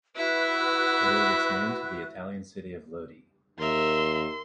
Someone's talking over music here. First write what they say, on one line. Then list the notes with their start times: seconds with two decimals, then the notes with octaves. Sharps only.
It owes its name to the Italian city of Lodi.
0.16 E4 F#4 B4 E5 F#6
3.59 D#2 A#4 E5 C6